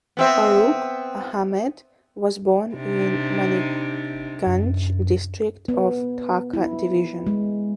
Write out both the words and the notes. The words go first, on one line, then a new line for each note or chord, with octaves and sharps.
Faruque Ahamed was born in Manikganj District of Dhaka division.
B3 C4 E5
C3 D4 D#4
F#2
B3
E4
G#3